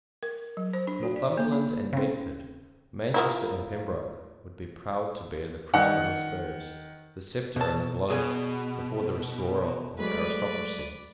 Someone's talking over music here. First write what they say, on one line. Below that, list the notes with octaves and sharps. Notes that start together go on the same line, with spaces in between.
Northumberland and Bedford, Manchester and Pembroke, would be proud to bear the crown and the spurs, the sceptre and the globe, before the restorer of aristocracy.
A#4
F#3
C5
D4
F#4
D5
A#3
D4
C#3 C4
F3 A#3 E4
D#3 F#5
B2 A5
B2 G#4 G#5
F#3 G#3 A3 B4 D5